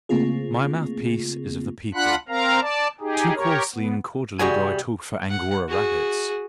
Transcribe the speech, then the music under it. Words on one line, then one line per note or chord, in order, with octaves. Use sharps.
My mouthpiece--is of the people: too coarsely and cordially do I talk for Angora rabbits.
C#3 A3 A#3 C4 F4 G#4
D4 F4 F#5 B5 F#6
C4 A#4 F5 A#5
D5 A5
D#4 G4 G#4
G4 A#4 C#5
B3
C2 G3 F#4 G#4 F#5 G#5
F#5
F#4 G#4